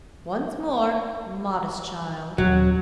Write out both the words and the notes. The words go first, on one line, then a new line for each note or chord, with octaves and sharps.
'Once more, modest child!'
D#1 F#3